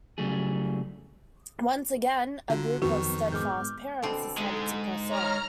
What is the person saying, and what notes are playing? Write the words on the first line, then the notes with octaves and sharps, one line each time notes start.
Once again a group of steadfast parents decided to press on.
C#3 F#3 G3 A3 G#4
D3 F4 F#4 A#5
F2 D#3 F#3 B3 F#4 C#6
G#2 G#3 B3 D6 F6 G6
B2 D3 C4 A4
G#2 G#3
C#5 A#5 F6